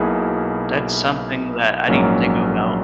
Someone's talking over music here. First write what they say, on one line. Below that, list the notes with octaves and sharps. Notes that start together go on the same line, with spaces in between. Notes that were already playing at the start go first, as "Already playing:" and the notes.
That's something that I didn't even think about.
Already playing: B1 B2 A#3 E4 G#4
A#1 G#2 F#3 A#3 C#4